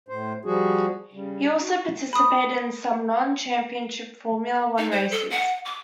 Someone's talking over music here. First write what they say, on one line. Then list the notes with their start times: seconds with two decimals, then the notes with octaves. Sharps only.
He also participated in some non-Championship Formula One races.
0.08 A2 C5
0.45 F3 G3 F#4 G#4
1.13 C#3 G3
1.60 F#4
2.13 B5 D#6
4.78 D#4
4.91 C5
5.11 A4
5.30 F#5
5.65 D6